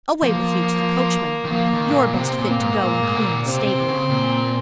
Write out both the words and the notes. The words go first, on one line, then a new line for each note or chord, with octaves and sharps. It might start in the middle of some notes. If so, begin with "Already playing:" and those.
"Away with you to the coachman; you're best fit to go and clean the stable."
F3 A#3
D#3
F3 A#3
D#3
G#2
A#2
A#2
C3 C4
A#2
A#3
G#2
A#2
G#2
C3
A#2
C3 C4
C3
C#3
A#2